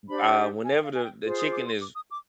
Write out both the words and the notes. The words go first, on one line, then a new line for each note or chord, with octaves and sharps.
uh, whenever the the chicken is
D4 G4 C5 B5
G#5
G5
F5
G#5
G5
F4 G#4 C5
D#6
D6
C6
D6
D#6
D6